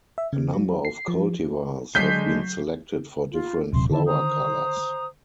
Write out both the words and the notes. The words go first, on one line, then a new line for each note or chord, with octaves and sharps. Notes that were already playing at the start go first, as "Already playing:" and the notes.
A number of cultivars have been selected for different flower colours.
E5
C#3
F#3
C7
F3
D3 F#3 G#3 G6 B6 C7
F4
D#1 C3 F#3 C6
D3 D#3 E4 A5
C5 A#5 D#6